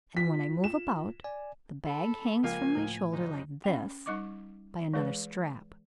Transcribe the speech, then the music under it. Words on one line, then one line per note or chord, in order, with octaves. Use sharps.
And when I move about, the bag hangs from my shoulder, like this, by another strap.
F4 B6
E7
D5 G#5
A4 B5
C#2 F3 A#3 F5 G#5
A2
F#1 D#4
C#4 G5
G3 D#4 D#5 C#6 D6
E3 G#3 G#4 B4